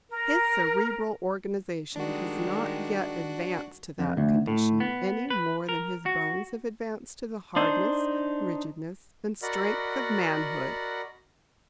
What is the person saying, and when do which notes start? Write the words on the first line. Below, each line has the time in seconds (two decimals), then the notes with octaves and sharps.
His cerebral organization has not yet advanced to that condition, any more than his bones have advanced to the hardness, rigidness, and strength of manhood.
0.10 A#4
1.96 D#3 G3 G#3 D4 F#4
3.99 F2
4.17 D2
4.47 A2
4.80 B3
5.30 B4
5.69 A#4
6.06 F#4
7.56 D4 D#4 C5
9.42 F#4 A#4 D5 D#5 F#5 B5